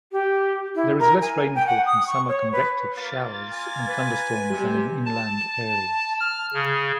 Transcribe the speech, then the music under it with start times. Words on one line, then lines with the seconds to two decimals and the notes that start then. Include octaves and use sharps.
There is less rainfall from summer convective showers and thunderstorms than in inland areas.
0.12 G4
0.75 E4
0.99 A#4
1.21 G#5
1.55 G5
1.67 F#5
1.86 D#6
2.07 C#6
2.28 C#5
2.53 B4
2.97 A#3 F4 A6
3.52 G#5
3.87 B4
4.50 C3 G3
5.06 A5
6.20 F6
6.54 C#3